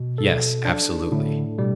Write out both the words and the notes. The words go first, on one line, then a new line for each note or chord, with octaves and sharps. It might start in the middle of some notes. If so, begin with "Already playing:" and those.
"Yes; absolutely."
Already playing: B2
A4
D4
A2 D3
B2 G3